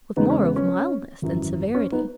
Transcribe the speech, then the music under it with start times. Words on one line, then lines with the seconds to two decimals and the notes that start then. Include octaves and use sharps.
"With more of mildness than severity."
0.17 E2 C#3 G#3 B3 D#4
0.30 C#4
0.43 B3
0.56 C#4
1.22 G#1 F#2 E3
1.75 C#4
1.92 B3 D#4